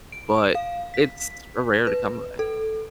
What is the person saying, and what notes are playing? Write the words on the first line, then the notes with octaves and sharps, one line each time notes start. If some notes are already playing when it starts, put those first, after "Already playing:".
but it's rare to come by.
D7
F5
B6
B4
A4